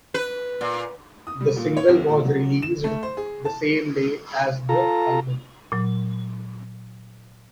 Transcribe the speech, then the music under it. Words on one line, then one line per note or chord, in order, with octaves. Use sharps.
The single was released the same day as the album.
B4
A#2
D#6
G3
A#2
C#5
C2
A#2
F#3
E7
A3
C5
G#4
A5
F4 A4 A#5
A#2 F#3